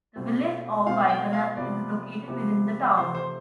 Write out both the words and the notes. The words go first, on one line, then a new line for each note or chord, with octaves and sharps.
The Village of Wyocena is located within the town.
B2 A3 C4
B2 A3 C4 F5
F5
G5
F5
C3 F3 B3 D5
C3 F3 B3
C3 F3 A3 C4 C5
C5